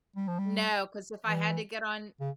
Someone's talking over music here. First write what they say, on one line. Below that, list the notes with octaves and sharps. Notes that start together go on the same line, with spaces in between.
No, 'cause if I had to get on
G3
F3
G3
E3
C#3